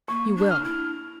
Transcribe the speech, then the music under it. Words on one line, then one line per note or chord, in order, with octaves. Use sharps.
"You will."
A#3 C#6
D4
F6
E4